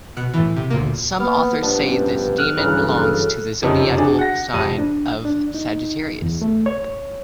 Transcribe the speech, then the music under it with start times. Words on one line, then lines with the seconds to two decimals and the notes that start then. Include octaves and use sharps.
Some authors say this demon belongs to the zodiacal sign of Sagittarius.
0.17 B2 F#6 C#7
0.34 A2 E3
0.57 C3
0.70 D2 A#2 A#3
1.20 A#3 B3 F6
1.62 G2 F3 B3 D4
1.81 C#4
2.38 A4 F6 F#6
2.57 G2 C#3 E3 F#3
3.63 F#1 F2 C3 C#4 D#4
3.97 D4 F#4 G#4
4.19 F#5 A#6
4.53 F2 C3 D#7
4.78 D4
5.25 D4
5.55 D#4
6.22 E2
6.42 A3
6.66 C#5